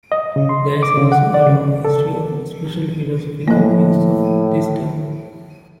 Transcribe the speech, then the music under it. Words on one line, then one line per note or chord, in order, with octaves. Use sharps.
There is also a long history of special philosophical use of this term.
D#5
C#3
C6
D6
C#3
F#5
D5
C#3
A4
A2 F3 A#3